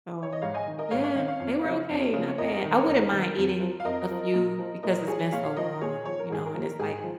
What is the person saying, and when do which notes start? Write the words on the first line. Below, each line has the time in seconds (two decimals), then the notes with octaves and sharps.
So, yeah, they were okay, not bad. I wouldn't mind eating a few because it's been so long, you know, and it's like
0.23 C#5
0.33 D#5
0.42 G#2 C#5 F5
0.54 D#5 G#5
0.66 D#3
0.78 A#4 D#5
0.91 G#2 C#5 F5
1.04 C#5 F5
1.15 D#3 C#5 F5
1.28 C#5 F5
1.40 F2
1.64 C#3 F3
1.89 F2
2.13 C#3 F3
2.28 C#5
2.38 F2 A#4 D#5
2.63 D#3 A#4
2.78 C#5
2.87 F2 A#4
3.12 D#3
3.37 F2
3.60 F3
3.80 F5
3.85 F2 A#4 D#5
4.10 F3
4.34 A#2
4.59 F3
4.83 A#2 A#4 D#5
5.07 F3 G#4 C#5
5.32 A#2 C#5 F5
5.56 F3 A#4 D#5
5.81 A#2 G#4 C#5
6.05 F3 C#5
6.19 A#4
6.30 G#2 G#4
6.46 A#4
6.54 F3
6.79 G#2 G#4
7.03 F3